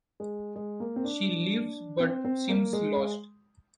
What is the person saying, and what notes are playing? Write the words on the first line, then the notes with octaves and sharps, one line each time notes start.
She leaves but seems lost.
G#3
G#3
A#3
C4
D4
C4
C4
A#3
G#3